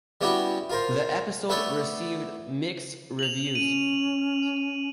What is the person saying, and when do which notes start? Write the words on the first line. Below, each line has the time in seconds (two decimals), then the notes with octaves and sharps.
The episode received mixed reviews.
0.21 G3 B3 C#4 E4 F#4 G4
0.70 F4 A#4 C5
1.49 A3 B3 A4 B4 C#5 D5
3.19 F7 F#7
3.55 C#4 D#7